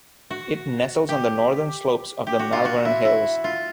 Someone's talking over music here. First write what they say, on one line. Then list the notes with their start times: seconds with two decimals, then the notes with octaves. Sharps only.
It nestles on the northern slopes of the Malvern Hills.
0.30 F#4
1.09 G4
2.27 G4
2.39 F#4
2.53 F4
2.65 F#4
2.85 E4
3.05 E4
3.44 F4